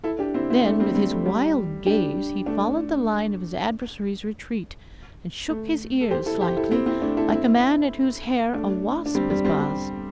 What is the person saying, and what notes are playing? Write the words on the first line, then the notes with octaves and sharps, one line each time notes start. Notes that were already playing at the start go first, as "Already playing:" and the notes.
Then, with his wild gaze, he followed the line of his adversary's retreat, and shook his ears slightly, like a man at whose hair a wasp has buzzed.
E4 A4
D4 G4
C4 E4
C4 E4
A3 D4
G3 C4
G3 C4
A3
G3
D4 G4
A3 D4
A3
A4
G4 C5
E4 A4
G4 C5
E4 A4
C4 E4
C4 E4
A3 D4
E4 A4
C4 E4
A3 D4
D4
G3 C4
G3
G3 C4
G3